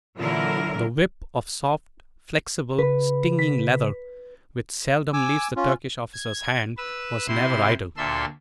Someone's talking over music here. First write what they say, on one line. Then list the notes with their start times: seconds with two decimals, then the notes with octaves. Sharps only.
The whip of soft, flexible, stinging leather, which seldom leaves the Turkish officer's hand, was never idle.
0.16 A#2 D3 E3 F#3 E4 A#4
2.78 C#3 B4
3.39 B6
5.13 G#5 D6 E6
5.56 C#4 F4
6.13 G#6
6.78 B4 E6
7.28 C3 E4 C6
7.97 D2 A#2 A4 E5 C6 E6